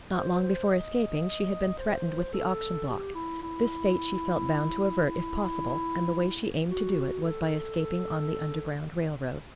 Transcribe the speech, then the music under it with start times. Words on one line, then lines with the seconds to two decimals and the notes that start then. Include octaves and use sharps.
Not long before escaping, she had been threatened with the auction-block; this fate she felt bound to avert, if possible, and the way she aimed to do it was by escaping on the Underground Rail Road.
0.15 C5
0.42 C5
0.70 D#5
1.79 C5
2.33 A4
2.88 G4
3.15 E4
3.43 E4
5.06 E4
6.70 F#4
7.24 A4
7.79 A4